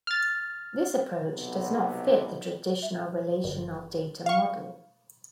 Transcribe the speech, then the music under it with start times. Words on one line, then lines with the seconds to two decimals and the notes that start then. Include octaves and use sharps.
This approach does not fit the traditional Relational Data Model.
0.07 F6 A6
1.32 B1 C3 B3
2.82 E5
3.44 G1
4.26 F5 C#6